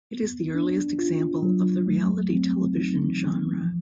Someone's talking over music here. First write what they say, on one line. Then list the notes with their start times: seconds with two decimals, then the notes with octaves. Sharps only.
It is the earliest example of the reality television genre.
0.11 B3
0.55 D4
0.99 F4
1.43 F#3
1.86 A3
2.30 C4
2.74 D#4
3.17 E3
3.61 F3